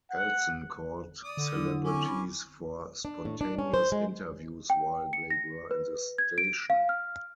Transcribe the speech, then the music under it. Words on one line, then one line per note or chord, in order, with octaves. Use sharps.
Elson caught celebrities for spontaneous interviews while they were in the station.
F#5
D5 D6 D#6
D3
F#3 D4 E4
C4 C#4 E4 G#5 D6
B5
D4
A2
D4
C#4
C5
G#3
G5
C#7
A#6
B4
G#6
D7
F5
F6